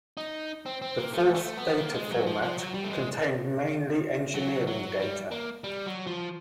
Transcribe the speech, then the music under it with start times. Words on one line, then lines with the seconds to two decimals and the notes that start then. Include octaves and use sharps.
The fourth data format contained mainly engineering data.
0.17 D#4
0.66 C4
0.82 C4
0.98 A#3
1.14 A3
1.35 A3
1.57 B3
1.78 A#3
1.94 G#3
2.10 F#3
2.26 F3
2.42 F3
2.58 F#3
2.74 G3
2.84 A3
2.91 G#3
4.35 F#3
4.67 F#3
5.00 G3
5.31 A#3
5.64 G3
5.86 F#3
6.07 F3